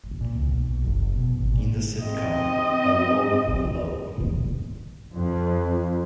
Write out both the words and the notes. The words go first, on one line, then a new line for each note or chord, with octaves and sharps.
In the sitcom 'Allo 'Allo!
A#2
C#2
B1
F#1
B2
G#1
A#2
C4 D#5
F2